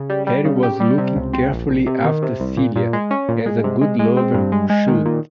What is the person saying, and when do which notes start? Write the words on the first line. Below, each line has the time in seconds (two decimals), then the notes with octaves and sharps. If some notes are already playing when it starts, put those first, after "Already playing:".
Harry was looking carefully after Celia, as a good lover should.
Already playing: C#3
0.10 G3
0.27 G3
0.45 C#3
0.63 G4
0.80 G3
0.98 C3
1.16 C#2
1.33 C4
1.51 A#1
1.69 A#1
1.86 C3
2.04 D#3
2.22 C3
2.40 C2
2.57 A#2
2.76 A#2
2.93 G#3
3.11 C#4
3.29 A#2
3.46 G#3
3.64 C3
3.81 G#3
3.99 G#3
4.17 C4
4.34 G2
4.52 G#3
4.70 G#3
4.87 D#3
5.05 A#2